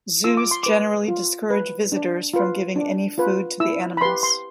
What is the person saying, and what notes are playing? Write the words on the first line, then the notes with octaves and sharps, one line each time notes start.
Zoos generally discourage visitors from giving any food to the animals.
F4 E6
D6
C6
B4 D6
F4
B4
D4
F4 B4
D4
F4 B4
E4 E6
B5
G4 B4 C6
C6